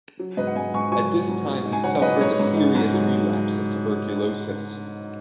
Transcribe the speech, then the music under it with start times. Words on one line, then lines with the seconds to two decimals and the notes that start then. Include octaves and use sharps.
At this time he suffered a serious relapse of tuberculosis.
0.19 F#3
0.37 G#2 B4 D#5
0.47 F#5
0.55 G#2 D#5 G#5
0.74 G#2 G#5 C#6
0.92 F#3 G#5 C#6
1.11 F#3
1.29 G#2
1.47 G#2
1.65 D#4
1.73 G#5
1.84 F#3 C#5 F#5
2.02 G#2 B4 D#5
2.21 G#2 C#5
2.40 G#2
2.57 D#4
2.75 G#2
2.94 F#3